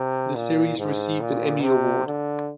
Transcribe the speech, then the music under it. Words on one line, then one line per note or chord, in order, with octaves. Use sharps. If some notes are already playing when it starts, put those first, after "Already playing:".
The series received an Emmy Award.
Already playing: C3
A#2
G#2
A#2
C3
D3